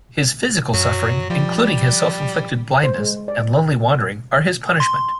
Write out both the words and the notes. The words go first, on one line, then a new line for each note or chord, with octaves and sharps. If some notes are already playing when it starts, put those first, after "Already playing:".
His physical suffering, including his self-inflicted blindness, and lonely wandering, are his punishment.
F#2 F#3
F3 G3
C5
G#3
D5
C6